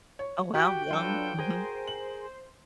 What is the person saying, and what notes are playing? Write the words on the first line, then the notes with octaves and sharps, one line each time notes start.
Oh, wow. Young. Mhm.
C#5
F#4 G4 G5
F#3 D4 F4 A4 B4
G#4 A#4 C5 G#5
F#7